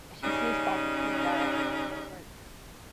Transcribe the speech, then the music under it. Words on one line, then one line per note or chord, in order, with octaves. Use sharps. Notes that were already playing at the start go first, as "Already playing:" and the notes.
It is used by the Sea Dayak ethnic group.
C#3 G3 C#4 D#4